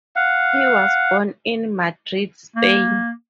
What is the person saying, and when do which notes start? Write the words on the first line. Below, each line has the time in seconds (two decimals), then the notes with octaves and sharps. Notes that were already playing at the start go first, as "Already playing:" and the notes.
He was born in Madrid, Spain.
0.16 F5 F#5
2.56 A#3